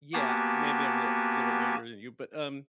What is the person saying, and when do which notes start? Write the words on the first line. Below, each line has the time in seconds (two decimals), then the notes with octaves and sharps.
Yeah, maybe I'm a li b little older than you, but, um
0.14 A#3 B3 F#4 G4 G#5 A5